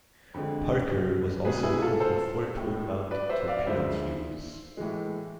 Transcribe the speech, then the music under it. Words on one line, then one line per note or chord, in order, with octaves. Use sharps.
"Parker" was also equipped with four twin mount torpedo tubes.
F2 D3 G#3
C2 B2 G#3 G#4 B4
E4 G#4
F4 A4
A4 C5
A2 G#3
B4 D5
C5 E5
D5 F5
D2 D3 F3 G#3 C5 E5
A2 E3 G#3